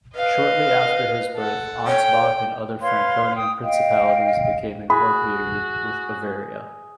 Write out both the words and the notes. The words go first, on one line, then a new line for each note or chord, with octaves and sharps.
Shortly after his birth Ansbach and other Franconian principalities became incorporated with Bavaria.
B4 D#5 F5
A4 F#5
C#5 G5
B4 C#5 F5 C6
G5 D#6
D#5 F5 G5
F#4 G#4 B5